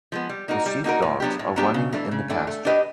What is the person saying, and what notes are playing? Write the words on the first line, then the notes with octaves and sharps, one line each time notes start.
The sheepdogs are running in the pasture.
F3 G#3 B3
G3
A#3 D#4 F#4 A#4
G3
A#3 D#4 F#4 A#4
A2
F#3 B3 D4 G4
A2
F#3 B3 D4 G4
C#3
E3 A3 D4
C#3
E3 A3 D4
A3
D4 G4 B4 D#5